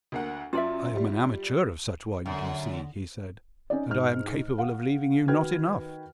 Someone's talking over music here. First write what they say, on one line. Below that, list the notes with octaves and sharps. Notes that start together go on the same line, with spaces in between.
"I am an amateur of such wine, do you see?" he said, "and I am capable of leaving you not enough."
D2 A#3 F#5
F#2 F4 D5 E5
G3
F#2 D3
C#4 D#4 D5
G#2 F6
F5 F#5
D#3 F#4 B4 G5 F6 G#6